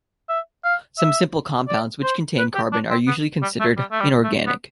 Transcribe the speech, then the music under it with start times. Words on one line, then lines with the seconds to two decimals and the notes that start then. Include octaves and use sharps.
Some simple compounds which contain carbon are usually considered inorganic.
0.29 E5
0.65 F5
0.98 E5
1.68 D5
2.03 C5
2.38 B4
2.55 G4
2.73 D4
2.90 C4
3.08 B3
3.42 G3
3.60 A3
3.77 G3
3.91 A3
4.00 G3
4.24 A3
4.47 B3